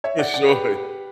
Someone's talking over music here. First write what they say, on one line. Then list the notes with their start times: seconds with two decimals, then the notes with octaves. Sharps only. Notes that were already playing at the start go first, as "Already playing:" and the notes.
For sure.
0.04 C#5 E5
0.19 D5 F#5
0.34 D5 F#5
0.48 G4 B4